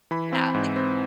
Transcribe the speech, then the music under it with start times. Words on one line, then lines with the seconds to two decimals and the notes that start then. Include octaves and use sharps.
Yeah, like
0.11 E3 B5
0.33 C4
0.54 G#2
0.76 C4